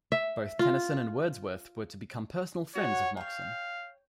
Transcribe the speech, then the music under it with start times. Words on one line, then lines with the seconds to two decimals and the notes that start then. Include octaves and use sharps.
Both Tennyson and Wordsworth were to become personal friends of Moxon.
0.12 E5
0.59 F4
2.75 F#4 C#5 F#5
3.17 C#5 F5 G5